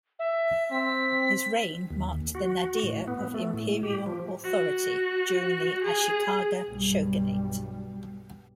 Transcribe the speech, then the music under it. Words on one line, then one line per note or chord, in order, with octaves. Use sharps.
His reign marked the nadir of Imperial authority during the Ashikaga shogunate.
E5
C4 B6
D#2
F#4
A2
B3
A3
A2
G4
F3
F#4
G#4
B1 G2 G3